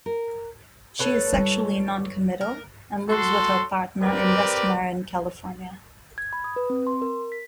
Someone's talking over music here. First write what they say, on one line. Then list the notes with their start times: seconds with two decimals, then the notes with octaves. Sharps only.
She is sexually noncommittal, and lives with her partner in West Marin, California.
0.06 A#4
0.99 A4 B4 C#5
1.33 G3 F4
2.41 A#4
3.10 F#4 A4 C6
4.02 C4 G4 A#4 B4 D5
6.18 G#6
6.33 B5
6.44 D#6
6.56 B4
6.70 C4
6.87 C6
7.02 A#4
7.32 B6